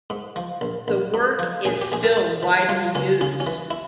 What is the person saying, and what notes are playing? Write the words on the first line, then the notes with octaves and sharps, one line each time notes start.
The work is still widely used.
G#2
F3
A#1
A#1
G#2
F3
A#1 G#4
G4
A#1 G#4
A#4
G#2
E3
G3 F4
C#2 C#4
C#3 C#4
C#4
E3
E4